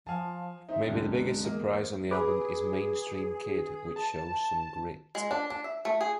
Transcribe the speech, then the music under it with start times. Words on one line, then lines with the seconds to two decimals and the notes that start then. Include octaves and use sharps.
Maybe the biggest surprise on the album is "Mainstream Kid," which shows some grit!
0.07 F3 F5 G#5 A5
0.69 C4 D#4 E5
0.86 C2 F#2 D3 G#3
1.43 E2 A#3 D#5
1.66 C5
2.11 G#4 B4 D6
3.96 A5
5.15 G#3
5.31 D4
5.50 D4
5.64 E5
5.85 A3
6.01 G#4